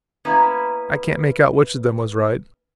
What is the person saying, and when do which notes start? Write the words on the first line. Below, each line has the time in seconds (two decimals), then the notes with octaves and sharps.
I can't make out which of them was right.
0.25 A#3 B3 C#4 E4 B4 A#5